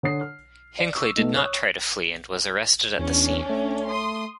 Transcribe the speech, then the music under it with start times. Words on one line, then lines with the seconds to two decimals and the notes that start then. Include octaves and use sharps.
Hinckley did not try to flee and was arrested at the scene.
0.03 D3 C#5 D#6 C7
0.21 F6
0.79 D5
0.96 C#6 D6 E6
1.16 B2 A3 D#4
1.36 C#5 C#6 D#6 E6 F#6
2.99 E2 C#4 D4
3.50 A3
3.85 C6 D#6